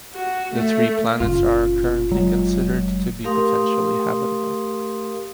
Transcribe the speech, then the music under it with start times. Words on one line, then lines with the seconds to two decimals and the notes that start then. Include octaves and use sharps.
The three planets are currently considered to be potentially habitable.
0.15 F#4
0.54 A3
1.20 F#1 A#2 F4
2.12 F#3 G#3
3.24 A3 G4 A#4 F5 C6 D#6